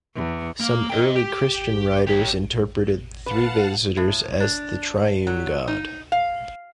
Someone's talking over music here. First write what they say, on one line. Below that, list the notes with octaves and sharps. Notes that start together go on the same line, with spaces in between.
Some early Christian writers interpreted the three visitors as the triune God.
E2
A#3
D#5 G5
G4
G4 C#5
B4 F5 F#5 A5
A2
D4
F#3
D#4
F5